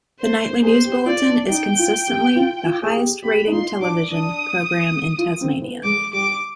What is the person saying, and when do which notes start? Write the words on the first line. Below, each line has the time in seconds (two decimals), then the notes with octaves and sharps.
The nightly news bulletin is consistently the highest rating television program in Tasmania.
0.19 C5
0.62 G#4 C5
0.84 G4
1.06 F4 D5
1.28 D4
1.49 D#4 G5
1.79 F4
2.08 G4
2.36 F4
2.65 F4
2.82 G#4
2.94 G4
3.23 G4 B5
3.47 D#4
3.52 F4 C6
3.81 D4 D6
4.10 D4 D#6
5.18 F4
5.41 C4
5.62 B3
5.84 G#3 D6
6.13 G3 D6